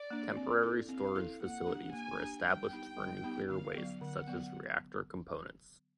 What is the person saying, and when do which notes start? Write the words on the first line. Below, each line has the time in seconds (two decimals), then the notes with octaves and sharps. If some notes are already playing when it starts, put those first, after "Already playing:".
Temporary storage facilities were established for nuclear waste such as reactor components.
Already playing: D5
0.10 A#3 D4
0.37 C4
0.63 E4 A4
0.89 C4 F5
1.15 E4 A4
1.41 A#3 F#5
1.67 D4 G4
1.92 A#3 G#5
2.19 D4 G4
2.45 G3 G5
2.71 B3 D#4 G4
2.97 G3
3.24 B3 D#4 G4
3.49 D3 F5
3.75 F#3 B3
4.01 D3 F#5
4.27 F#3 B3